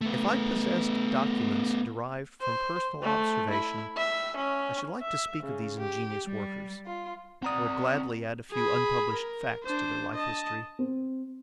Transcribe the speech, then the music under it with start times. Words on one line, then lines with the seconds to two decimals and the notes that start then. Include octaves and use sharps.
If I possessed documents derived from personal observation, I should like to speak of these ingenious workers; I would gladly add a few unpublished facts to their life-history.
0.01 A3 B3
2.41 C5
3.03 A3
3.50 E4
3.97 E5
4.37 C#4
5.01 E5
5.44 C#3
5.77 G4
6.25 G3
6.85 F4
7.43 C4 D5 F#5 A#5 D#6
8.51 G#4 B5
9.14 A#4
9.63 D4 C5
10.15 D#5 A5
10.79 C4